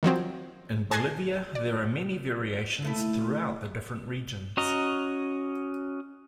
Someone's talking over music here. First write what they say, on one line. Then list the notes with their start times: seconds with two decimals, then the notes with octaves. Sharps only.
In Bolivia, there are many variations throughout the different regions.
0.03 D#3 F3 F#3 C4
0.91 G#5 A5 F#6 G#6 A#6 C7
1.55 D5
2.82 D#2 A3 E4
4.57 C#4 F#4 D#5 A#5